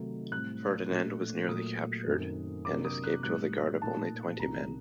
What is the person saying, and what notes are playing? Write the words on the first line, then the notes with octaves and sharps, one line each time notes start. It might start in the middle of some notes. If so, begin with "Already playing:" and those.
Ferdinand was nearly captured and escaped with a guard of only twenty men.
Already playing: C3 D#3 F#3 A3 D#4
A2 G3 C4 F#6
A#2 A3 D4
A#2 F#3 A3 D#6
F#2 D#3 A3 C4
C3 F#3 A#3 D4 D6
D#6
F#6
A2 G3 C4 D#4 F#6
A#2 A3 D#4 A5
C2 C3 D#3 A#5